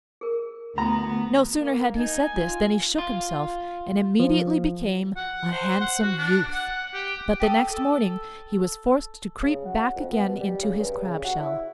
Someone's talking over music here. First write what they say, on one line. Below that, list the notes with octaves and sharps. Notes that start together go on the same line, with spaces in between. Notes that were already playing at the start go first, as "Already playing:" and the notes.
No sooner had he said this than he shook himself, and immediately became a handsome youth, but the next morning he was forced to creep back again into his crab-shell.
G#4 A#4
D2 B3 A#5
A#3
D#4 G#5
F4
F4
F3
F#5
C5
F#5
F#4
D4
F#5
G4
G4 A4 D#6
A4
C#3
F#4
F2
B3
B2
G3
C#3
G2
C#3
F#4
E4